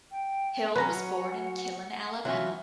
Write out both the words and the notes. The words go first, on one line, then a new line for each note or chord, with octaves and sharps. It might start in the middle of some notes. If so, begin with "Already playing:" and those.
Hill was born in Killen, Alabama.
G5
F#3 C#4 B4 F#5 A#5
E3 F#3 F4